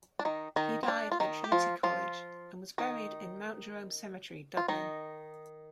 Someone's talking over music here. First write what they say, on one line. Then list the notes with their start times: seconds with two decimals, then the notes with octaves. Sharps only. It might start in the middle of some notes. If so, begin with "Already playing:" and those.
He died at Trinity college and was buried in Mount Jerome cemetery, Dublin.
0.19 D4
0.25 D#3 D#4
0.56 D#3 D#4
0.83 C4
0.88 D4
1.12 F4
1.20 D#3 D#4
1.44 G4
1.52 F3 F4
1.83 F3 F4
2.78 D#3 D#4
4.57 F4
4.68 D#3 D#4